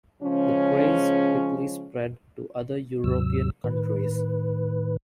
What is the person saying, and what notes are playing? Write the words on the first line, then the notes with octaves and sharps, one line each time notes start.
The craze quickly spread to other European countries.
C#3 F3 G#3 C#4
D#2 G#2 C3 F#3 E6
A2 D#3 B4